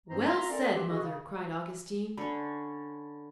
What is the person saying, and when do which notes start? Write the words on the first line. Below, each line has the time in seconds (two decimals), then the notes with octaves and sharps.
"Well said, mother!" cried Augustine.
0.09 G2 F3 C4 C5 A#5
0.25 E5 A#5 C6
0.50 C4 C#4 A4 A#4 D5
0.73 F4 G4 B4 E5
0.89 F#4 G#4 D#5
1.03 C#3
2.18 D3 C#4 B5